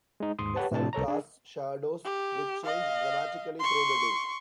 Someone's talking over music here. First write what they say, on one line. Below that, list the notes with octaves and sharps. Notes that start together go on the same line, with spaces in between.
The sun casts shadows which change dramatically through the day.
G#3 D#4
D#2 G#2 C6 D#6
G4 B4 C#5 F#5 A5
A2 C3 D4 A5
C2 A4 C#5 A#5
D4 G#4
G4
D#5 F5
C6 C#6